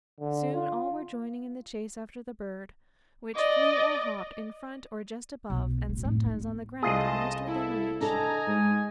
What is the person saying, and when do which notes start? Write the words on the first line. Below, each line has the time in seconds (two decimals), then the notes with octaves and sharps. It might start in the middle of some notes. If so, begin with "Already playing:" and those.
Soon all were joining in the chase after the bird, which flew or hopped in front or just above, and sometimes on the ground almost within reach.
0.20 D3
0.54 F4
3.35 D5 D#5
5.50 B1
5.89 D1 F#3
6.04 F2 A2
6.26 D#4
6.41 B3
6.83 C2 A3 F4 G#4 D#5 A5
7.47 E4 A4
8.01 D4 A4 D#5 G#5 A#5
8.47 G#2 G#3